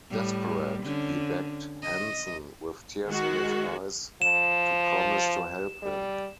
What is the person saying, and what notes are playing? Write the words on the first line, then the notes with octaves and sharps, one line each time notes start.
Desperate, he begged Henson, with tears in his eyes, to promise to help him.
A2 G3
D3 C#4
D#5
D#3 G#3 F#4
F3 E7
G3